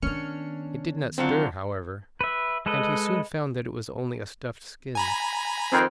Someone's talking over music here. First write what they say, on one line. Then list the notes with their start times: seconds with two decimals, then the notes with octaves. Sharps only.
It did not stir, however, and he soon found that it was only a stuffed skin.
0.02 D#3 B3 C#4 D4 F6 C#7
1.18 D3 F#3 C4 F4
2.21 B4 E5
2.66 G#3 A4 B4 D#5
4.95 G#5 A#5 B5
5.72 F2 D#3 C4